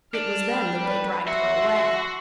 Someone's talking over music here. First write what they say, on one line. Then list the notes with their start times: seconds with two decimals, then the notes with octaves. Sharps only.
It was then that they dragged her away.
0.15 D4 F6
0.50 G3
0.83 B4
1.28 F#4 E5 C6